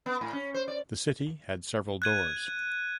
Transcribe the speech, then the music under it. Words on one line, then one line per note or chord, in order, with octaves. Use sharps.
The city had several doors.
B3
A2
C#4
C5
D5
F#6 G#6 D#7